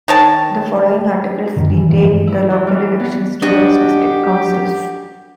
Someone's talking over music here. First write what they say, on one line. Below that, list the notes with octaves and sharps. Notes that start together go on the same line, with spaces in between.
The following articles detail the local elections to those district councils.
D#3 C#5 A5
F#2 D3 D#3
E3
G2 E3 F3
E4
E3
G3
B3
D4 F#4 G4 D#5